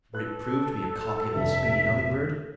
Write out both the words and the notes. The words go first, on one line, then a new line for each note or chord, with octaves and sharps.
Would it prove to be a copy of his speedy Humming-Bird?
A4 B4 F#6
F1 G2 E5